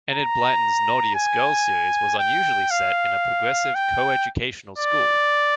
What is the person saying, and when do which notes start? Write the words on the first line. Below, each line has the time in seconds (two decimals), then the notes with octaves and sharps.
Enid Blyton's Naughtiest Girl series was unusually set in a progressive coeducational school.
0.11 A#5
1.15 G#5
2.19 G5
2.71 F5
3.75 G5
4.78 D5